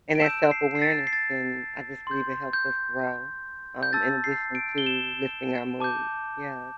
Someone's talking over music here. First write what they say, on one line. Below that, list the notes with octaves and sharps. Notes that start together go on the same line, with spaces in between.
And that self-awareness can I just believe it helps us grow, um, in addition to lifting our mood, yeah.
D7
A5 E6 G6 E7
C7
C7
A6
C7
A6
C6 G6
G6
G6
A5 E6 G6 A6
C7
D7
G7
E7
A5 D6 G6